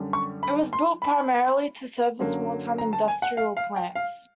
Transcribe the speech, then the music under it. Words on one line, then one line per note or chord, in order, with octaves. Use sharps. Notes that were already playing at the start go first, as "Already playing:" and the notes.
It was built primarily to service wartime industrial plants.
Already playing: F#2 D3 G3
C#6
B5
C6
B5
F#2 D3 F#3 A#3
A#5
A5
G#5
F#5
F5
F5
G5
F5